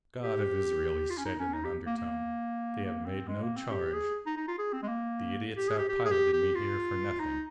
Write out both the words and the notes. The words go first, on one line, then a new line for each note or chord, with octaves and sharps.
"God of Israel!" he said in an undertone, "they have made no charge; the idiots have piloted me here for nothing."
G4
F4
C#4
D#4
C#4
D#4
G4
A#3
A#3
A#3
C4
G#3
A#3
C4
G4
G#4
D#4
D#4
F4
G#4
C4
G#3
A#3
G4
G#4
G4
G4
G#4
G4
G4
F4
D#4